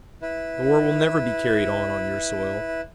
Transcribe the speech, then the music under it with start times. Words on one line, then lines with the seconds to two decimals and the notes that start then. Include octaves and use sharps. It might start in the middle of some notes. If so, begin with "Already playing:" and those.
The war will never be carried on on your soil.
0.22 E4 B4